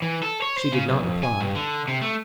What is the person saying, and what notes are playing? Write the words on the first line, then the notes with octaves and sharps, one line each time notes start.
She did not reply.
E3
A4
C#5
C5
C#3
B1
F2
G#5
G2
D3
C3
A3